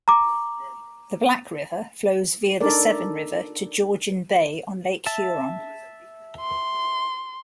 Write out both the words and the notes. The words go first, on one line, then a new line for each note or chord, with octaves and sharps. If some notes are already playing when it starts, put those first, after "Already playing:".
The Black River flows via the Severn River to Georgian Bay on Lake Huron.
A#5 D6
D4 D#4 A4 A#4 D5
E5 A5
C6